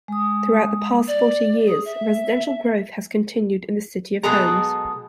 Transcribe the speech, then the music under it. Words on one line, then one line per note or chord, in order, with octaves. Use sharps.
Throughout the past forty years, residential growth has continued in the City of Homes.
G#3 D#6
D5
G#4
E5
B2 F#3 G#3 G#4 A4 A#5